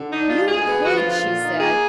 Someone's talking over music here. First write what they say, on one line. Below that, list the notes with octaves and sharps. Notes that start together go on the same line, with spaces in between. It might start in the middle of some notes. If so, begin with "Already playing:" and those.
"You could!" she said.
Already playing: D3
D4 D#4
G#3 F4
D2 G#4
B3
F3 F#4
F4
D3
F4
A#2
D#4
A#3 G#4